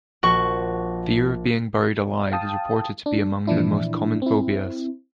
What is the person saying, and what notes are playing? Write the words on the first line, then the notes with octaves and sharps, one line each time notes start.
Fear of being buried alive is reported to be among the most common phobias.
A#1 F#4 C#6
F5 G5 A5 D#6
D4
A#2 E3 F3 D4 E4
C4 E4